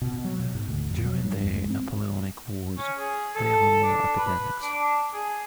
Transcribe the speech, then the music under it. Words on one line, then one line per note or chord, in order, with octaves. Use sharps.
During the Napoleonic wars there were more epidemics.
B2
F#3
B2
G#2
D2
F2
F#3
G2
F2
G#3
C4
C#4
G#4
A4
D4
B4
D4
G#4